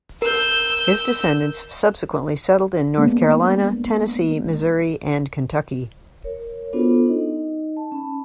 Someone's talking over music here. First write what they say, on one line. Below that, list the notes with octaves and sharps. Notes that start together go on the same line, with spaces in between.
His descendants subsequently settled in North Carolina, Tennessee, Missouri and Kentucky.
A#4 E6 G6
G#3 A#3 B3 D4
A#4 C#5
B3 D4 F4 F#4 A4 C5
D#4 D#5
A5
C#4 A5 B5